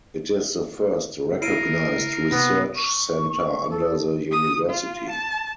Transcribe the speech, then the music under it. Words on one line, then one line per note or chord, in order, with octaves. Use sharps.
It is the first recognized research center under the university.
E4 A#4 C7 D7 D#7
C3 B3 A#6
C#6
A4
D#6
F4
A5